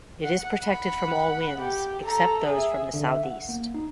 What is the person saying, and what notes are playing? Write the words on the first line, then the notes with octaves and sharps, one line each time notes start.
It is protected from all winds, except those from the southeast.
F#5
F#5 B5
G4
A4 A#5
G#4 E5
D3
E5
F#5
A#3
D#4